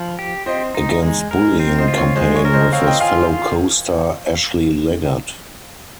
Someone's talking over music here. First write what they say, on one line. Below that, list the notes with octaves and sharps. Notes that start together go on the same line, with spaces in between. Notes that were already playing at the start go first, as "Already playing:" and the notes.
Against Bullying campaign with his fellow co-star Ashley Leggat.
Already playing: F3
G4
C4 C5 D#5
D#4
G#3
A#4
C4
C5 D#5
F4
C#5
G#3 C5
C#5
A#4
C5 D#5
C4 C#5 F5
D#5 G5
F4 F5 G#5